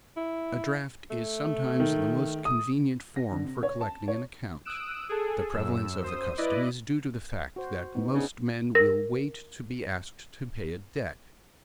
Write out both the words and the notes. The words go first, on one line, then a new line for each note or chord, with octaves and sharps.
A draft is sometimes the most convenient form for collecting an account. The prevalence of the custom is due to the fact that most men will wait to be asked to pay a debt.
E4
A3
D#3
D#6
A#6
D3
C3
C#5
A5
C#5
D#6 E6 F#6 D7 E7
G#4 A4
F#2 E6
C5 D#6
E4 B4 D5 D#5
F#4 C5
B3 D#4
C#3 D4 D#4 G#4
A#4 A#6